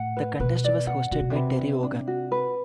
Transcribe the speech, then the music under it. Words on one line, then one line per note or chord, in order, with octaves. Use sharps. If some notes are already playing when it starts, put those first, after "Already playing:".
The contest was hosted by Terry Wogan.
Already playing: A2 F#5
B4
B2 B4
D5
F#5
C3 F#4
B2
C3
B4
D4
D4
F#4
B4